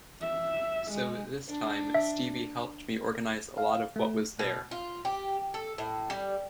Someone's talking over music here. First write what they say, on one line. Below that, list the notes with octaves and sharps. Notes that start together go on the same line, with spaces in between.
So, this time, Stevie helped me organize a lot of what was there.
E5
G#3
D4
E5
F5
A3
B2
F4
G4
A4
A2
G3